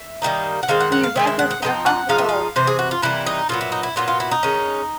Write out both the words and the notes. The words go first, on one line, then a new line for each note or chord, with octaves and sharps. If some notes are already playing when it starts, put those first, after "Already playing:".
She rushes to the hospital.
Already playing: E5
D#3 G3 A#3 D#4
F#5
D#3 G#3 C4 F5
F#5
F#5
F5
D#3 G#3 C4 E5
E5
F#5
F#5
F3 G#3 C4 D#4 G5
F#5
F3 G#3 D#4 F5
E5
F5
C3 E3 C5
G#4
F#4
F4
C3 E3 G3 A#3 E4
D#4
A#2 F#3 B3 F4
E4
D#4
E4
A#2 F#3 B3 F4
F4
E4
D#4
D#3 G#3 C#4